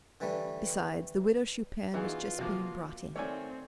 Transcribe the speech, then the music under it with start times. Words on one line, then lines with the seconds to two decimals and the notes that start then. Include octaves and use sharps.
Besides, the Widow Chupin was just being brought in.
0.20 D3 E3 G3 A3 D4
1.94 E3 B3 D#4 F4 F#4 G#4
2.39 C3 F3 A#3 F#4
3.16 D#3 A3 C4 C#5 D5 G#5